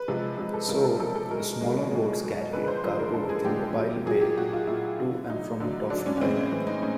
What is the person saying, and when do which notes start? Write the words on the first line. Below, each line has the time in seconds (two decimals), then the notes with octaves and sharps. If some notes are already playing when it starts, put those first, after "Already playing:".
So, smaller boats carried cargo within Mobile Bay to and from Dauphin Island.
Already playing: B4
0.08 C3 F3 G#3
0.38 C3 F3 G#3
0.54 A4
0.69 C3 F3 G#3 A#4
0.85 A4
0.99 C3 F3 G#3 A4
1.15 A4
1.30 B2 G#3 A#4
1.61 B2 G#3
1.91 B2 G#3
2.23 B2 G#3
2.53 D3 F3 G#3 B4
2.64 B4
2.68 C5
2.84 D3 F3 G#3 C5
2.99 A#4
3.14 D3 F3 G#3 A4
3.29 G#4
3.45 D3 F3 G#3 G4
3.76 A#2 F#3
4.06 A#2 F#3 G#4
4.21 G4
4.37 A#2 F#3 F#4
4.53 F4
4.67 A#2 F#3 E4
4.98 D3 F#3
5.29 D3 F#3 D#4
5.60 D3 F#3
5.90 D3 F#3 D4
6.06 C#4
6.17 C#4
6.21 A2 E3 G#3 C4
6.37 C#4
6.52 A2 E3 G#3
6.67 D#4
6.82 A2 C#4